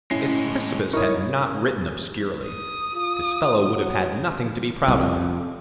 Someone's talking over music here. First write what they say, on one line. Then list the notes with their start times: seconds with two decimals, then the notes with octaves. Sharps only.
If Chrysippus had not written obscurely, this fellow would have had nothing to be proud of.
0.11 A2 G#3 C#4 E4 C7
0.93 D#4 E4 A#4 C#5 C#6 D#6
2.48 D#6
2.94 F4
3.60 F#3
4.88 C2
5.01 F2